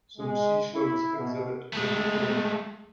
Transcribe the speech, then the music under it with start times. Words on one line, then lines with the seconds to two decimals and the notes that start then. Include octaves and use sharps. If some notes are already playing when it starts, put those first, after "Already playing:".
Some sea slugs exhibit autotomy.
0.18 G#3
0.74 E4
1.17 B2
1.73 G#3 A3